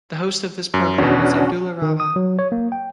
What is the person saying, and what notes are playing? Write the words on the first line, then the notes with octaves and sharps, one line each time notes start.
The host of this program is Abdullah Rava.
F#2
E2 B2 C#4 D4 F#4
D#3
D#6
F#3
C#5
A#3
G5